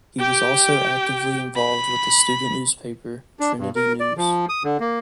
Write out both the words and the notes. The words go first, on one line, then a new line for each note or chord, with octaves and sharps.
He was also actively involved with the student newspaper "Trinity News".
G4 G5
B5
D4
G2
A#4
D5
F3
D#6
D3
A#3